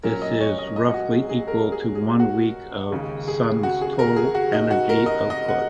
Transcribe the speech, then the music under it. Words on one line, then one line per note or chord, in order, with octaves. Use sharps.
This is roughly equal to one week of the Sun's total energy output.
A#2 F#3 C#4 A#4
D#5
C#5
D#5
D#5
F#4
G#4
G#4
A#4
G#4
G#4
F#4
D#2 C#3 G#3
G#4
F#4
G#4
A#4
G#4
F#4
D#4
F#4
A#4
D#5
D#5
F#5